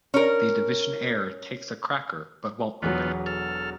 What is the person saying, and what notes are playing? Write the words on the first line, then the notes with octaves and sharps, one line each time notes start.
The Divisionnaire takes a cracker but won't open it.
C#4 A#4
E1 E2 F#3 B3 F4
A4 F6